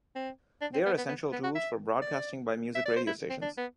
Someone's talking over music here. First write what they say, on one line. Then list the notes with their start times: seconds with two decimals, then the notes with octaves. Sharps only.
They are essential tools for broadcasting by music radio stations.
0.16 C4
0.61 D4
0.74 C4
0.86 B3
0.98 B3
1.08 B3
1.33 B3
1.44 F#4
1.55 E5
2.02 D5
2.75 E5
2.86 D5
2.96 C5
3.07 E4
3.30 C4
3.42 D4
3.57 B3